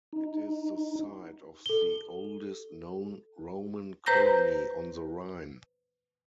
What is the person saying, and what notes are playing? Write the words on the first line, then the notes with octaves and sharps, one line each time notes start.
It is the site of the oldest known Roman colony on the Rhine.
D#4
A4 G7
B4 C5 A#5 G6 A#6